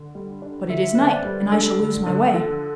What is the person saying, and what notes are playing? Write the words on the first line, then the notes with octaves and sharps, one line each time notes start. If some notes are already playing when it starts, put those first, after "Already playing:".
"But it is night, and I shall lose my way."
Already playing: D3
G3
D4
D3 E5
D3 B4
C5
D5
G3
D4 A4
D3
D3
F3 A4